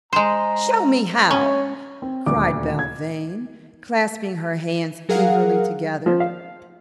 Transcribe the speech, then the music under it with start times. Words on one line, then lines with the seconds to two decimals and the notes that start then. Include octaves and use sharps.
"Show me how," cried Belvane, clasping her hands eagerly together.
0.13 G#3 C5 A#5
1.31 C#4 C#5
2.02 C4
2.26 D#1 D2 D6
2.79 G#6
5.09 F#3 G#4 A#4 F5 F#5
6.06 F3
6.20 F5